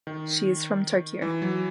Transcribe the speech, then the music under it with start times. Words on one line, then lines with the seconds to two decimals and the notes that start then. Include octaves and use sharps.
She is from Tokyo.
0.07 D#3
1.22 E3
1.42 F#3